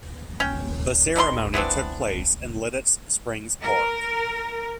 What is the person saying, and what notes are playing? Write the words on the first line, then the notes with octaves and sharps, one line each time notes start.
The ceremony took place in Lititz Springs Park.
C#4 G5
B2 D#3 D#4 C6
E3 B3 C4 D4
A#4